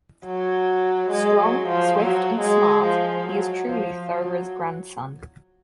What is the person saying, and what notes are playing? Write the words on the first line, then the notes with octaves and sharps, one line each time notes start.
Strong, swift and smart, he is truly Thowra's grandson.
F#3
G#3
F#3
F3
F#3
G#3
F3
F#3
F3
F#3